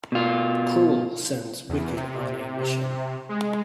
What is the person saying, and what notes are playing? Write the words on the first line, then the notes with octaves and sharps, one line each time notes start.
Kruel sends Wikked on a mission.
B2 F4
E2
C3
G#3